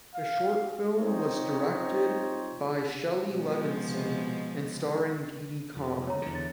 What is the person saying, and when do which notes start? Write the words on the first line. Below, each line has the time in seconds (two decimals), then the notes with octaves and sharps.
The short film was directed by Shelley Levinson and starring Didi Conn.
0.15 F5
0.97 C4 D#4 F4 C5 C#5
3.30 B2 F3 G#3
5.76 F2
6.07 C#5 A#5
6.22 E2 D3
6.35 A6